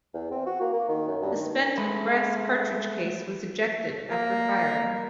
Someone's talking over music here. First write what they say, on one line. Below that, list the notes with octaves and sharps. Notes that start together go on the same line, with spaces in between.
The spent brass cartridge case was ejected after firing.
E2
C4
F#4
A#3
A#3
D#3
F#2
G2
D#3
G#3 A3 B4
A#3